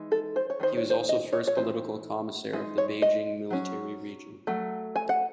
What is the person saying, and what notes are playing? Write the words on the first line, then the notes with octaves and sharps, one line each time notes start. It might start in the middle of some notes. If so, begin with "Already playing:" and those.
He was also first political commissar of the Beijing Military Region.
Already playing: E3 G#3 D#4
A4
C5
C#5
D#3 A3 D#4 C5
C#5
C5
D#5
C#5
C#5
E3 C4 D#4 C5
G#3 D#4 E4
C#5
D#5
F#3 C#4
F#3 A3
G#5
F#5